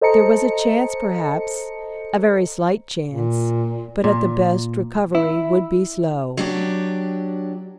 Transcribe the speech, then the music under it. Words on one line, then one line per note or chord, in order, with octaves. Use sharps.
There was a chance perhaps, a very slight chance; but at the best, recovery would be slow.
A4 C5 D#5 A5 A#5 C#7
A#2
A#2
E4
F#3 D4 G4